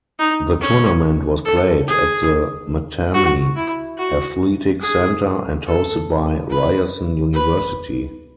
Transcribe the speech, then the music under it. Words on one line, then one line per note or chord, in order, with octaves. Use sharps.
The tournament was played at the Mattamy Athletic Centre and hosted by Ryerson University.
D#4
C#4
A4
G#4
F#4
E4
F#4
G#4
A4
B4
B4